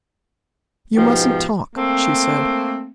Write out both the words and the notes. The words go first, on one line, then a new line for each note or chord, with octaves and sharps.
"You mustn't talk," she said.
G#2 B2 F3 G4
A3 A#3 C4